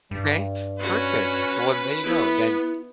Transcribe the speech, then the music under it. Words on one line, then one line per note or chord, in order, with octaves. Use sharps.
Okay. Perfect. The one there you go. Then
G2
C#4 F#4 B4
B3 E4